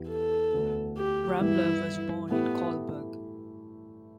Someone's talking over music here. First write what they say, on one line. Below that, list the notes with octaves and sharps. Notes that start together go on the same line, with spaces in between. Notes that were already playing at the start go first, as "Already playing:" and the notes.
Ramler was born in Kolberg.
Already playing: E2 E3 B3 E4 G4
A4
D2 D3 B3
G4
G2 E3 B3 E4
A2 A3 B3 E4 G4